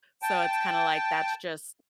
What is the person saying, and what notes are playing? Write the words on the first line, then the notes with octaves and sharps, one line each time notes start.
so it's kinda like that's just
G5 A5